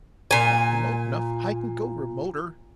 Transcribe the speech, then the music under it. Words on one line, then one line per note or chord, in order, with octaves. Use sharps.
If not remote enough, I can go remoter.
A#2 G#5